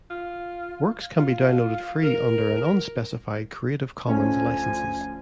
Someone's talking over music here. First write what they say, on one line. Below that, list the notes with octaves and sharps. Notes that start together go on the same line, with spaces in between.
Works can be downloaded free under an unspecified Creative Commons licenses.
F4
F4
A#4
D2 F3 A3 C#4 G#5